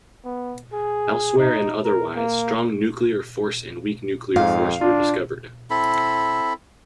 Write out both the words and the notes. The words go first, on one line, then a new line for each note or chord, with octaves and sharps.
Elsewhere and otherwise, strong nuclear force and weak nuclear force were discovered.
B3
G#4
D#4
A#4
A#3
F2 G#2 F5
D4 F4
C4 E4 A4 B5